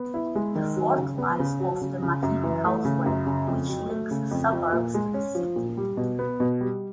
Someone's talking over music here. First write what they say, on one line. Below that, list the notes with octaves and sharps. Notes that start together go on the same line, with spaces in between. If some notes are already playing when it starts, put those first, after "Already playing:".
The fort lies off the Mahim Causeway which links the suburbs to the city.
Already playing: B3
E4
G#3
D#3
F#3
C#3
B3
C#3
F#3
C#3
C#3
F#2
E3
A3
C#3
F#2
C#3
F2
F#3
A3
C#3
F2
F3
A#2
G#3
C#4
F3
A#2
G3
B2
B3
B2
G3